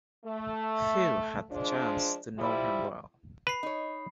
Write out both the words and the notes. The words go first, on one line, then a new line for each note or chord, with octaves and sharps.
Few had the chance to know him well.
A3
F3 G#3 D4
F3 G3 E4
B4 B5 C7
D#4 C#5